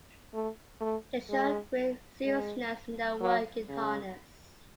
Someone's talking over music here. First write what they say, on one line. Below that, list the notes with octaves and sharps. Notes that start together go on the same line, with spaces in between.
They show great seriousness in their work in harness.
A3
A3
G#3
G#3
F#3
C#3